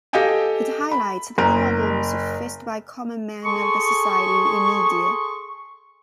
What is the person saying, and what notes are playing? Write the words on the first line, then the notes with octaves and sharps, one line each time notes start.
It highlights the problems faced by common man of the society in media.
G4 A4 D#5 F5 G5 G#5
B5
F#1 A#4
G#4 A4 C6 C#6